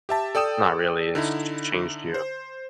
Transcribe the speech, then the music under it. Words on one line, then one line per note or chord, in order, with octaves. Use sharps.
not really, it's ch changed you?
G4 E5 A5
A4 D5 G5 D#6 E7
D3 D#4 E4
C5